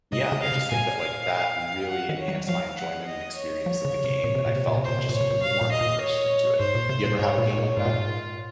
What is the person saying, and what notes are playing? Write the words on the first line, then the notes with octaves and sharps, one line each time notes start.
yeah, I just think that, like, that really enhanced my enjoyment and experience of the game, and I felt, just, more immersed into it. You ever have a game like that?
C3 D#5
C#3
F5
C3
A#2 G#5
F5
F#5
D#3
C#5
F#3
F3 F5
F#5
D#5
C#5
F3
C#3
C3
A#2
C3
A#2
C3
A#2
C3
A#2 C5
C3
A#2 C#5
C3
A#2
F5
A#2
D#5
A#2
C#5
G#2 C5
A#2
C3
A#2
G#2 C#5
A#2
C#5
A#2
G#2 F4
A#2
G#2